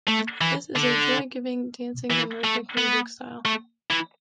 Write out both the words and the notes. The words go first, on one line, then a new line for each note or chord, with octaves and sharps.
This is a joy-giving, dancing and rhythmic music style.
A3
E3
D3
E3
A3
B3
A3
E3